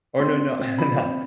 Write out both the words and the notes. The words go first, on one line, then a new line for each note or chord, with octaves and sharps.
Or, no, no, no,
C4 C6
C4
C4
F3 B5
C4